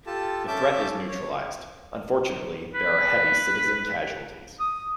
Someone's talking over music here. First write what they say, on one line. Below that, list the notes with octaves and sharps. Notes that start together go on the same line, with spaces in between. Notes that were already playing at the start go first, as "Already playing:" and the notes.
The threat is neutralized; unfortunately there are heavy citizen casualties.
F4 G4 A4 A5
C#4 A4 E5 A5 D6 G6
C#5
B4
D#6